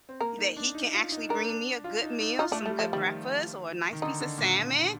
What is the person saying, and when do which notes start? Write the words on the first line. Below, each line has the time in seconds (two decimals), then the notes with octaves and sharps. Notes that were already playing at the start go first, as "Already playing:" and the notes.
that he can actually bring me a good meal, some good breakfast, or a nice piece of salmon.
0.09 C4
0.21 A#3 A#4
0.38 D#4
0.56 D4
0.75 D#4
0.94 F4
1.12 D#4
1.29 D4 A#4
1.48 D4
1.84 F4
2.02 D#4
2.21 D#4
2.38 D#4 F4
2.52 A3 D4
2.66 G3 A3
2.79 F3 A3
2.93 D#3 G3
3.93 D#3
4.02 D3 D#4
4.21 D3
4.38 A#2